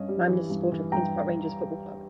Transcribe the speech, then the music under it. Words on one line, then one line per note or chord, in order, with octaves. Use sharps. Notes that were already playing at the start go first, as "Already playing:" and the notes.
Nyman is a supporter of Queen's Park Rangers Football Club.
Already playing: G2 C#4 D#5
G3
E3
G2
E3
G2 G5 A#5